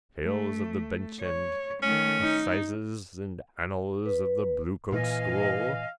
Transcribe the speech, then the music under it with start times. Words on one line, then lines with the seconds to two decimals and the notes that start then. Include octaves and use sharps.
Tales of the bench and assizes and annals of the bluecoat school.
0.24 A3
1.21 C#5
1.83 D#3 A3 C#4
2.22 D#4
4.06 B4
4.92 A#2 E3 D#5 F5 G#5